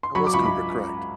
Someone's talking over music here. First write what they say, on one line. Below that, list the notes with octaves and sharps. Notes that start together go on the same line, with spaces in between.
That was Kubrick, correct.
C6
F#3 B5 C#6
D6
C#2 B5 C#6
B5